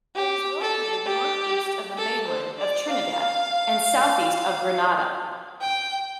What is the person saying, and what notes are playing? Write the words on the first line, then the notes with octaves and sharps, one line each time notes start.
It is located northeast of the mainland of Trinidad and southeast of Grenada.
G4
A4
G4
A4
C5
D5
F5
G5